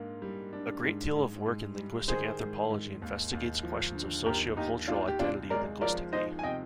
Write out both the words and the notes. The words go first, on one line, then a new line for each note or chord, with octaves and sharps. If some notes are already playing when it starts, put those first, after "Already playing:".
A great deal of work in linguistic anthropology investigates questions of sociocultural identity linguistically.
Already playing: G#2 A#3 D4
G3
D4
G#2
G#2
G#2
G3
D#3 G#4 C5
G#2
G#2
D#2
D#2
F3
D3
D#2 G4 A#4
D#2 D#4 G4
D4 D#4 F4
G4
C3 D4 F4
G#3 A#4 D5
F3 A#4 D5
D#4 C5 D#5
G#5
C3 D#5 G5